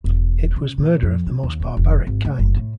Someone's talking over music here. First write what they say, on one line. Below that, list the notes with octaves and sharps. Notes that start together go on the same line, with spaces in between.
It was murder of the most barbaric kind.
E1
C#3
A#2
F2
C#3
D#2
D#1
F1
G#1
A3
F#1
A2